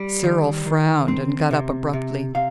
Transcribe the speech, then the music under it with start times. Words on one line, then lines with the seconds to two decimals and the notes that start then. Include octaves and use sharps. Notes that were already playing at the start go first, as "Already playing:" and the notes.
Cyril frowned, and got up abruptly.
Already playing: G3
0.23 D#3
0.66 D#3
1.08 C4
1.51 C3
1.93 C3
2.35 C3 F5